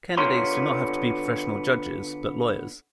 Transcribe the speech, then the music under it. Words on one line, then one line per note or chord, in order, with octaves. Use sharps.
Candidates do not have to be professional judges, but lawyers.
D3 B3 F4 C#5 A#5 C6